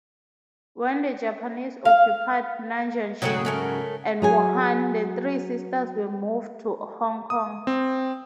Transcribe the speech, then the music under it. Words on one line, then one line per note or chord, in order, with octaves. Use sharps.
When the Japanese occupied Nanjing and Wuhan, the three sisters moved to Hong Kong.
F5
G#2 C#3 F#3 G#4 F#5 G5
A3 C#4 A#4
F#3 G#4 G#5
D#6
C4